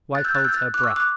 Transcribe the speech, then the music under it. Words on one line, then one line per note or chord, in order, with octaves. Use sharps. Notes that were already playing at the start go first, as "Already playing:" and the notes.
Wife holds her breath.
F#6 A6
E6 G6
F#6 A6
E6 G6
F#6 A6
D6 F#6
C#6 E6
D6 F#6